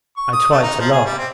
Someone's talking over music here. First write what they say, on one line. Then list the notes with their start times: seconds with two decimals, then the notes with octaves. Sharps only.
I tried to laugh.
0.16 C#6
0.33 D#6
0.51 A3
0.63 D#4
0.79 F3
0.92 G#4
1.05 G3
1.18 C4